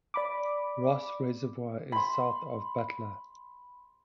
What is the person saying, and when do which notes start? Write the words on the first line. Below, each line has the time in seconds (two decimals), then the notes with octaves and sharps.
Foss Reservoir is south of Butler.
0.14 D5 B5 D6
1.92 B5 C6